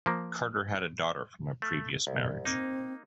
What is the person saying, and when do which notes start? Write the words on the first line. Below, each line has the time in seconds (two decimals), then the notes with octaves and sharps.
Carter had a daughter from a previous marriage.
0.06 F3 A#3
1.62 A3
2.07 C2
2.45 A#3 C4 D#4